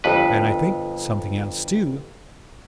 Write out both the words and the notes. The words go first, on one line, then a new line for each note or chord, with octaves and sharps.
"And I think something else, too."
G1 F2 B4